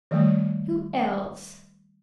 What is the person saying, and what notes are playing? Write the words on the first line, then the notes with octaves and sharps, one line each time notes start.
Who else?
D#3 F3 G3 A3